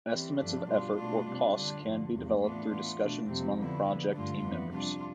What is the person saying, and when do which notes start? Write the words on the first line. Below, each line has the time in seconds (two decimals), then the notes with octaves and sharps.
Estimates of effort or cost can be developed through discussions among project team members.
0.10 E3 G3 C4
0.39 G2 F3 A3 D4
0.68 B2 G3 D4 F4
0.97 B2 A3 D4 F4
1.25 C3 G3 D4
1.55 D3 G3 D4 F4
1.84 G2 D3 F3
2.13 E2 C3 F3 A3
2.42 A2 E3 B3 D4 F4
2.70 E3 B3 F4
3.00 B2 A3 D4
3.28 F2 C3 G3 C4
3.58 D3 F3 B3 E4
3.86 D3 F3 B3
4.15 G2 D3 A3 D4 F4
4.44 F2 E3 B3
4.73 C3 G3 D4 F4